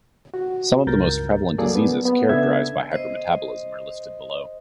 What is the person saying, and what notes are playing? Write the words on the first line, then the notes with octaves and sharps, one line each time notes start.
Some of the most prevalent diseases characterized by hypermetabolism are listed below.
F#4
C#2 G2 A#4 G6 A6
F#3 A#3 G#4 A4 D5
B3
B3
C#3 B3 D4 A4 E5 G#6
C5 D#5